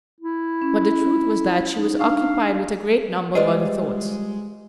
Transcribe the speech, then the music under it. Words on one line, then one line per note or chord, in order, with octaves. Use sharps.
But the truth was that she was occupied with a great number of other thoughts.
E4
C#4
D#4
D4 F5 C#6
G3 G#3 F4 G#4 B4 C5 D5 D#5